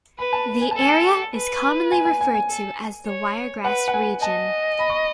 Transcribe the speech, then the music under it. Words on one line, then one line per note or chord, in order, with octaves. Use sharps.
The area is commonly referred to as the Wiregrass Region.
B4 B5
A5
G#5
A5
A4 G#5
B4
G#5
G#5
G#5
G#5
A4
C#5
B4 F#5
F#5
G#5
D#5 A5
B5
C#6